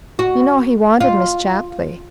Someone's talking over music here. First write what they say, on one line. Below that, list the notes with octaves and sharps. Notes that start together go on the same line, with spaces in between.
You know he wanted Miss Chapley.
F#4
F4